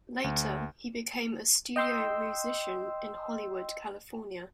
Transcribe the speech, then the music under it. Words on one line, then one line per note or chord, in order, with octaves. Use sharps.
Later he became a studio musician in Hollywood, California.
D2
D#5 G5 C6 E6